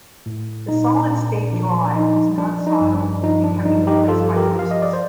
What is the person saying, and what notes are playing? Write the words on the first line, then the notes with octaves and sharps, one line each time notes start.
The solid state drive is not soldered and can be replaced by users.
A2
A#2 D#4
A#2 D4
F3 D4
F3 D#4
F3 D4
D#4
G2
D4
F3 D#4
D4
G2 D#4
D#4 G4
F3 F4 A4
G4 A#4
F3
F5
D#5
D5
C5